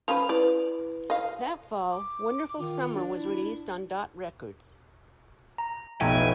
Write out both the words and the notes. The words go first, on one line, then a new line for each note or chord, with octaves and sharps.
That fall, "Wonderful Summer" was released on Dot Records.
F3 C#4 B4 F7
E4 B4 D5
D#5 F5
D6
D#3 F4
D4
E4
A#5
F1 B1 E5 G5 G#5